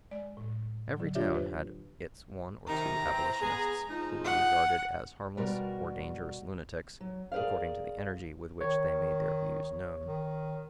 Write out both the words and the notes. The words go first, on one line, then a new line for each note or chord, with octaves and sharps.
Every town had its one or two abolitionists, who were regarded as harmless or dangerous lunatics, according to the energy with which they made their views known.
G#3 D5
A2
D3 F#3
D4 F4 G4 C#5 D5 E5
B4 C5
C3 D#3 A#5
C3 E3 C4
G#3 B3 G#4
F3 G#3 D#4
F#5
B2 G3 F#4 A#4 D5
F#3
G#4 A#4 C5 D5 F5
D#3 C#5
D#3